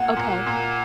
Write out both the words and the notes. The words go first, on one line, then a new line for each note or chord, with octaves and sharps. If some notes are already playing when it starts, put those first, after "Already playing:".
o o Okay.
Already playing: A#2 F#5
A#2
A#2